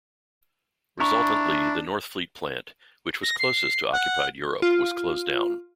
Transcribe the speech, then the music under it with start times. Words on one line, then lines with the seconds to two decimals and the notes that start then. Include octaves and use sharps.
Resultantly, the Northfleet plant which was closest to occupied Europe was closed down.
1.00 D4 E4 A#5 C#6
3.23 A#6
3.39 C7
3.92 F#5
4.62 F4